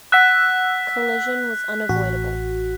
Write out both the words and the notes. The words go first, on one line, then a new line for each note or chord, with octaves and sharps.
Collision was unavoidable.
F#5 E6 F#6 B6
A1 F#4